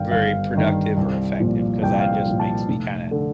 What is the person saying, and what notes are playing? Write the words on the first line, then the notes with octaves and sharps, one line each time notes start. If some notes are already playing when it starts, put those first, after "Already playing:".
very productive or effective cause that just makes me kinda
Already playing: G1 G2 D#3 F5 G5
G1 F5
G2 D#3
C2
A#2 F3
C2 G5
F5
G5
A#2 F3
A5
F1
D3